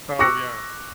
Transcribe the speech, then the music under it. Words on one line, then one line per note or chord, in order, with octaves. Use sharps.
Oh, yeah.
C#6 D6 E6 F#6 A#6 C#7